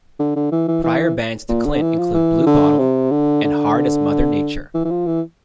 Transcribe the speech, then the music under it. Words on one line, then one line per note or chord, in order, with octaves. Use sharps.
Prior bands to Clint include "Blue Bottle" and "Hard As Mother Nature".
D3
D3
E3
E3
E3
A#2
D3
E3
F3
E3
D3
C3
D3
D3
E3
E3
F3
E3